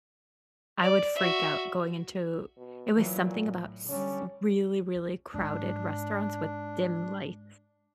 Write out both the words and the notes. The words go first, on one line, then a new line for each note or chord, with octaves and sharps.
I would freak out going into it was something about s really, really crowded restaurants with dim lights.
D5
F#4 E5
B2
A#2 E3 F#3
A2
D3 G3 C#4
G#2 D4